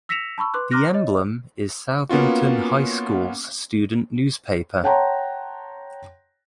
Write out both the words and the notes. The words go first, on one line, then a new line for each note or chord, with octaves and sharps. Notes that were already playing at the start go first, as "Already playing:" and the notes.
"The Emblem" is Southington High School's student newspaper.
E6 A#6 B6 C#7 E7 F7
A5 B5 C#6 E6
B4 C6 D6 F#6
A#5 C6 D6 F6 F#6 A#6
C#5 D#5
A#3 B3 C#4 F4 F#4
C#5 F#5 G5 A5 A#5 C6